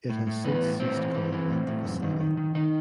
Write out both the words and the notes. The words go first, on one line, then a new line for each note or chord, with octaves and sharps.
It has since ceased calling at the facility.
A2
A2
E3 B3
A2
A2 C4
E3
E3
E3
A2
A2
F#2
D#3
D#3
D#3
D#3 D#4